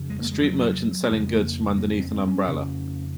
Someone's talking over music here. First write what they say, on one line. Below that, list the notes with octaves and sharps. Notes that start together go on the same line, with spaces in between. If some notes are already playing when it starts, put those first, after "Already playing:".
A street merchant selling goods from underneath an umbrella.
Already playing: F2 C#3
G#3
A#3
G#3
F#3
F2 C#3 G#3
A#3
A#3
C4
C4
C4
C#4
F2 C#3